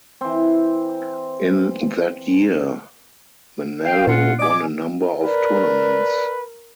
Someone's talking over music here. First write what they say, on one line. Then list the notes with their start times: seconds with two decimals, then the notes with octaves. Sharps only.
In that year, Manalo won a number of tournaments.
0.21 E3 C4
3.84 F5 G5
4.07 A#2 C#4 F4 F#5
4.39 D5 D#5 G#5 D6
5.25 A#4 B4 D5